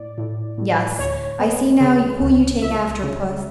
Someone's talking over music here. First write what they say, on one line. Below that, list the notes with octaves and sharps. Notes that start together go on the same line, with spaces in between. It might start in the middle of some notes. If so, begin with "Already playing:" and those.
'Yes, I see now who you take after, puss.
Already playing: A2 D5
A2
A2
D2 C#5
B3
C#3
D2
C#2 E5
C#3